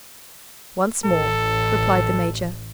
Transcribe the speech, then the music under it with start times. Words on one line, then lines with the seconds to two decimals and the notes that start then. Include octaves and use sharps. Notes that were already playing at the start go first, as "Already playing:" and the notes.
"Once more," replied the major.
1.06 A1 A4